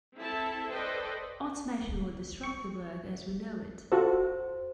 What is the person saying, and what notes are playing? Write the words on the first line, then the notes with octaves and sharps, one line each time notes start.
Automation will disrupt the work as we know it.
C4 E4 A4 E5 A5
A4 B4 C5 D5 D#5 G5
C#6
F4 F#4 A4 C5